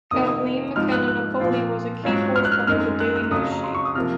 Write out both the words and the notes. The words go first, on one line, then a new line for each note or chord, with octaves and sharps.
Kathleen McKenna-Napoli was 'a key force behind the daily news-sheet.
F2 C3 D#3 A#3 D#6
D#6
G#2 F3 C4 D#4 F6
F#6
F#6
A#2 F3 C4 F4
G#2 F#3 C#4 F4
F6
F#6
F6
F#2 D#3 G#3 C4 F6
F#6
F#6
F2 C#3 F#3 D#6
A#5
C6
C#6
D#6
C3 F3 A#3 F6